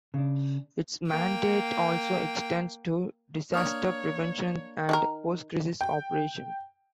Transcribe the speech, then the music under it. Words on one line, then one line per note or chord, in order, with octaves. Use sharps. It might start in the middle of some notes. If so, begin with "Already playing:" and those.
Its mandate also extends to disaster prevention and post-crisis operations.
C#3 D4
A#3 G5
A#3 D4 C#5 C#6 D#6 F6
D#3 D4 A#4
G5